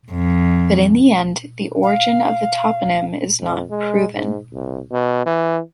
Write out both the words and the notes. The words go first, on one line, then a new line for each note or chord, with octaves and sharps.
But in the end, the origin of the toponym is not proven.
F2
F5
F2
G#3
G#2
C2
B2
E3